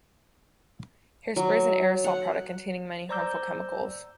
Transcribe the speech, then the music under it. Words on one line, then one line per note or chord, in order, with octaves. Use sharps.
Hairspray is an aerosol product containing many harmful chemicals.
F#3
F#5
C5 D5 A#5 D6 E6 G6